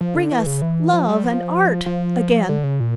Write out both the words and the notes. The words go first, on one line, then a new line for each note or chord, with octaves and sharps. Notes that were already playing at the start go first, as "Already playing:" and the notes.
Bring us love and art again!
F3
D3
E3
C#3
E3
F3
G3
F3
F3
D3
C#3
A#2